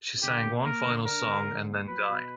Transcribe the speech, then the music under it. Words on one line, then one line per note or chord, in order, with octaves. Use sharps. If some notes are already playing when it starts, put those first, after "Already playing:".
She sang one final song and then died.
D3 G4
A#3
A#3 A#4
D3
D4 A#4
D3
D3
A#3
F#3 B4
B2